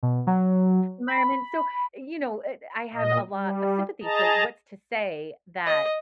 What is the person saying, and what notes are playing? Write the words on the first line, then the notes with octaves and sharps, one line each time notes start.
environment. So, you know, eh, I have a lot of sympathy. So, what's to say, that
B2
F#3
B5
A#2 D#5
G3
G#4 D#5 A5 A#5
D#5